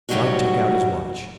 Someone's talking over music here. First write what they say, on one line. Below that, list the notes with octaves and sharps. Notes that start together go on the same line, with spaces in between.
Rod took out his watch.
A2 C#3 F#3 G3 D#4 F#4